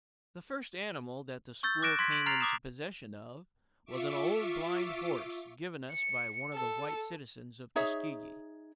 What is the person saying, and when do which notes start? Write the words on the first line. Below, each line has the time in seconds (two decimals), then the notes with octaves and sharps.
The first animal that the school came into possession of was an old blind horse given us by one of the white citizens of Tuskegee.
1.63 C#6 E6 G6 A6
1.82 D6 F#6 A#6 D7 E7
1.99 C6 G#6 B6
2.12 D7 F#7
2.26 A#5 F6 A6 C7 F7
2.41 D6 D#6 E7
3.85 F4 E5 C#6 D6
5.91 C#7
6.54 A4
7.76 D#4 G#4 C#5 E5